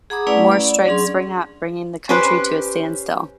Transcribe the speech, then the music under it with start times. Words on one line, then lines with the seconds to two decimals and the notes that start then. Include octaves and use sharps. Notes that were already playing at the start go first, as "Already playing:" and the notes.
More strikes spring up, bringing the country to a standstill.
0.10 G#4 F#5 A#5 B5 D6 D#6
0.27 A3 C#4 E4 B4 D5 F#5
0.49 D5 B5
0.63 D5
0.86 F#3 C#4 D4 G#4 C6
2.09 C#4 G4 B4 C5